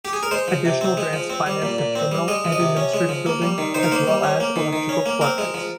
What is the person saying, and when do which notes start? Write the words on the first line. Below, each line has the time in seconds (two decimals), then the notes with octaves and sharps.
Additional grants financed the terminal and administrative building as well as electric floodlights.
0.05 G4
0.13 G#4
0.23 A#4
0.31 G#3 C5
0.48 F3
0.65 C3
0.81 C4
0.97 G#3
1.13 F3
1.30 C4
1.46 G3
1.62 A#2
1.78 A#2
1.95 C4
2.12 G3
2.28 G#3 D#5
2.45 F3
2.52 D#5
2.60 C3
2.77 C#4
2.94 G#3
3.09 F3
3.26 A#3
3.42 G3
3.58 D#3
3.74 D#3 C5
3.83 A#4
3.92 A#3 C5
4.07 G3
4.24 C#4
4.40 A#3
4.56 D#3
4.73 D#3
4.89 C#4
5.06 A#3
5.21 C4 A#4
5.38 G#3
5.54 F3